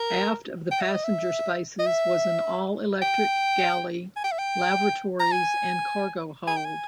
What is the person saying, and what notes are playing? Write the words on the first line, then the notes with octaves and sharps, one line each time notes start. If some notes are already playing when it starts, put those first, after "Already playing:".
Aft of the passenger spaces was an all-electric galley, lavatories, and cargo hold.
Already playing: A#4
G5
E5
D#5
E5
D#5
E5
G5
G#5
G5
E5
G5
A#5
G#5
G#5
G5
G#5